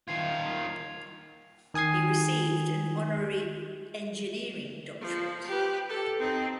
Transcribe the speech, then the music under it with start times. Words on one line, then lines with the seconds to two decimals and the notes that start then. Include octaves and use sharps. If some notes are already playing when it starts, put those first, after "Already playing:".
He received an honorary Eng.D.
0.08 D#3 F4 G#6 C7 F7
1.74 D#3 G#5 D#6 G#6 C7
5.01 F3
5.47 G4 B4
5.89 G4 A4
6.19 C4 D#4